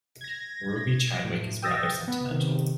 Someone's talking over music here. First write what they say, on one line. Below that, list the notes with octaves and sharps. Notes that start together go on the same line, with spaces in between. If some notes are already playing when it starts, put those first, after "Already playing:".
Ruby Chadwick is rather sentimental.
G#6 A#6
A2
G5 D#6 E6 A6 A#6
B3
C3 D#3